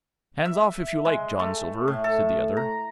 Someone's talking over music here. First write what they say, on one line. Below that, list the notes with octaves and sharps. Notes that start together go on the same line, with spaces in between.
"Hands off, if you like, John Silver," said the other.
E5
G#3
A3
A2
A4
A#5